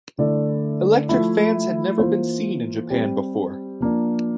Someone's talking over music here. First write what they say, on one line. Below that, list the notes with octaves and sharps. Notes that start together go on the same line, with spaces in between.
Electric fans had never been seen in Japan before.
D3 A3 E4 A4 D5
F3 A3 E4
E3 A#3 F4 C5
G3 C4 G4
F3 A#3 D4